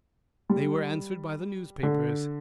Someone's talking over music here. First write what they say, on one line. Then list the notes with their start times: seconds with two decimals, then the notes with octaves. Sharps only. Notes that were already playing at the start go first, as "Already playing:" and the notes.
They were answered by the newspapers.
0.50 G3
1.83 D3